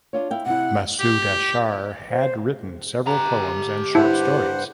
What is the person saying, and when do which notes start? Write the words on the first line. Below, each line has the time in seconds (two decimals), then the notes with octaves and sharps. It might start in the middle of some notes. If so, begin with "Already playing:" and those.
Masood Ashar had written several poems and short stories.
0.13 D4 F4 C#5
0.31 E4 F5 G5
0.46 C3 E4 F#5
1.00 G4
2.11 C5
3.07 G4 A#5
3.95 G2 E4 C5 F#5